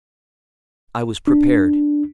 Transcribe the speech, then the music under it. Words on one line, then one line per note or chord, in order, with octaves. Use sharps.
I was prepared.
D4